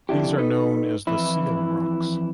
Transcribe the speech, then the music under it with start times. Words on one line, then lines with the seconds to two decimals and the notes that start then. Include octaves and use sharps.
These are known as the Seal Rocks.
0.09 F2 D3 D4 E4 G4
0.38 D#4 A4 B4
1.07 F2 E3 E4